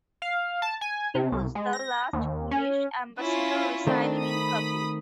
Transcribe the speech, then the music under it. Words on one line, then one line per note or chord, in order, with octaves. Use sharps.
He was the last Polish ambassador residing in Kabul.
F5
A5
G#5
C3
C2
G#3
A#6
D#2
C#4
C#4 E4 F4
D#3 A3 C4 D4
B5 D#6